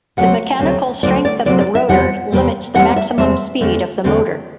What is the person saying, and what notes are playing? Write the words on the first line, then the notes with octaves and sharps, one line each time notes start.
The mechanical strength of the rotor limits the maximum speed of the motor.
D2 C3 F#3 C4 F#5
D2 C3 F#3 C4
D2 C3 F#3 C4 D5
D5
D2 C3 F#3 C4 D5
D5
E5
E2 C3 G3 C4 F#5
E2 C3 G3 C4
E2 C3 G3 C4 F#5
E5
E2 C3 G3 C4 E5
E2 D3 A3 C4
E2 D3 A3 C4